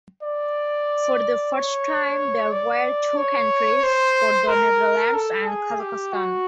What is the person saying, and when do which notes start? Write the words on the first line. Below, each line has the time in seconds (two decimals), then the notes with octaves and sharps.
For the first time there were two entries for the Netherlands and Kazakhstan.
0.23 D5
1.54 C#5
2.52 D5
3.17 C#5
3.83 C5
4.48 A#4
5.14 A4
5.46 G#4
5.79 G4
6.13 F#4